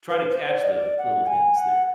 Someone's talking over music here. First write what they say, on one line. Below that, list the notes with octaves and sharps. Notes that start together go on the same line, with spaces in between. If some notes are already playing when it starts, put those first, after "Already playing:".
try to catch the little hints there.
B4
C5
D5
D#5
D5
F#5
G#5
F#5